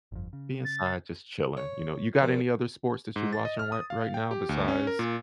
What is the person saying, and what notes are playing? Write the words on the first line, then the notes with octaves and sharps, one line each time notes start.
Be inside just chilling, you know? You got any other sports that you're watching white right now besides
G1 F2
C#3
A6
C#5
A#1 A#2
G#2
A6
D#5
F6
D#6
F5
G5
G4
D2
C#4
A#4
A#2